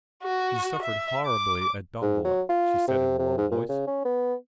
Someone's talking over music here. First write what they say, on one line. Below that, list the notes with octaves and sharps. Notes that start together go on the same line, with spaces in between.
"You suffered horribly at Dongola," she said in a low voice.
F#4
E5
D6
G#2
F#3
F4
C3
C3
G#2
A#2
C#3
C#4
B3